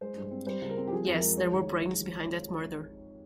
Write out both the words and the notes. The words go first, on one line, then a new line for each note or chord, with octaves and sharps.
Yes, there were brains behind that murder.
G#3 C5
G2
C4
G3 C5
C#2
A#4
C4
G4
F3 G#4
F2
A#4
G#3
G#3 C#5
D#2
C#5